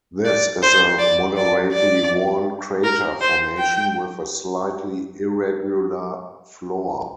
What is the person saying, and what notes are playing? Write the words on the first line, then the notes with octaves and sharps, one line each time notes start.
This is a moderately worn crater formation with a slightly irregular floor.
D5
C5
D5
D5
D5
A#4
C5
G5